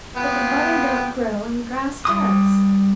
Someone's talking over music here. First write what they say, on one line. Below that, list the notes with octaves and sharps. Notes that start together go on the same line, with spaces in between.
But the butter don't grow, and the grass does.
B3 F4 G5
G3 D#6